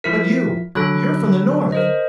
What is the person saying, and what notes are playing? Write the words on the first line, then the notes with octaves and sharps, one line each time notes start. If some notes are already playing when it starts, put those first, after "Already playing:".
"But you--you're from the North."
F3 E4 A#4 B6
D3 F#3 A4 B5 F#6
A#4 C5 D#5